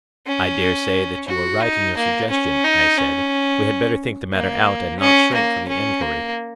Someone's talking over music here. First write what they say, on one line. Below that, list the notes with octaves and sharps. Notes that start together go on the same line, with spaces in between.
I dare say that you are right in your suggestion, I said; we had better think the matter out, and not shrink from the enquiry.
C#4
F#4
D#4
A#3
C#4
D#4
C#4
A#3
C#4
A#3
C#4
A#3